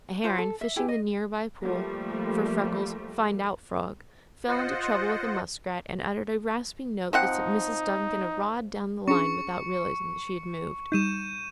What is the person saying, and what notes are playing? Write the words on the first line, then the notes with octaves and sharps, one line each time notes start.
A heron, fishing the near-by pool for Freckles' "find-out" frog, fell into trouble with a muskrat and uttered a rasping note that sent Mrs. Duncan a rod down the line without realizing that she had moved.
F4 C5
A4
E5
E4 G4 G#4
D#5
F3 G3 A3 A#3
F4 C5 D#5 F#5
F3 C4 D#4 F#5
C#4 D4 G#4 C#6 C#7
G3 D#4 G6 D#7 E7